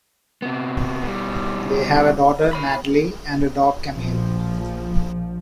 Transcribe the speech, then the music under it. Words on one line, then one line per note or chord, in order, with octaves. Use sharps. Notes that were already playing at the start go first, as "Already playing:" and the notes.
They have a daughter, Natalie, and a dog, Camille.
C3 B3
B2 G3
C#5 B5
A#1 F3